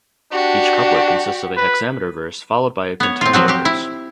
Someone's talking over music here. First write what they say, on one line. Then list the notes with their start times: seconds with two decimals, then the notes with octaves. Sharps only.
Each couplet consists of a hexameter verse followed by a pentameter verse.
0.32 D4 F#4 G4
1.57 B4
3.00 B3 C#5
3.21 C4 F4
3.33 F3 F#3 C4 F#4
3.48 C4 G4
3.65 E4